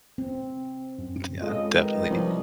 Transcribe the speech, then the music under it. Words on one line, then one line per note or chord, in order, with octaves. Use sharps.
Yeah, definitely.
C4
F#2
C#3 G#3 F4 A4 D#5
D#3 B4 D#5
C2 F3